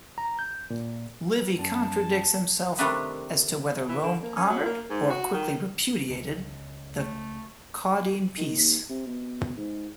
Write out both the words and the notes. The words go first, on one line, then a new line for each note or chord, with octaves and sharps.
Livy contradicts himself as to whether Rome honored or quickly repudiated the Caudine Peace.
A#5
G6
A#2
F#2 A5
C3 D#3 G3 A3 D4 B4
E3
D3
A#3
C#4
F#3
A#3
G#2
F#4
D#3
C#2
A3
D#3
D#2
C3
B2
G#2